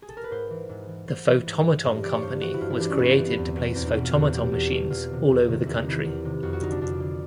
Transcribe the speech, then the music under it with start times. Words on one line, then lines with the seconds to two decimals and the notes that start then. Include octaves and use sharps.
The Photomaton Company was created to place Photomaton machines all over the country.
0.02 G#4
0.09 A4
0.17 A#4
0.24 B4
0.31 G#2 C5
0.50 E3
0.69 G#2
0.88 E3
1.08 G#2 C5
1.27 E3
1.47 G#2
1.65 E3
1.84 G2 D#5
1.94 D#5
2.03 E3 D5
2.13 C#5
2.22 G2 C5
2.41 E3 F#4
2.54 E4
2.61 G2 F4
2.70 E4
2.80 E3 D4
2.90 C#4
2.99 G2 B3
3.06 C4
3.14 E3 B3
3.37 E2
3.56 B2
3.75 E2 C4
3.86 D#4
3.95 B2 E4
4.05 F4
4.13 E2 F#4
4.33 B2 G4
4.52 E2
4.71 B2
4.90 E2 F4
5.10 C3 D#3
5.29 E2
5.48 C3 D#3
5.66 E2 E4
5.78 D#4
5.86 C3 D#3 E4
6.05 E2
6.25 C3 D#3
6.43 F2 F#4
6.53 F#4
6.62 D3 D#4
6.71 D4
6.81 F2 D4
7.00 D3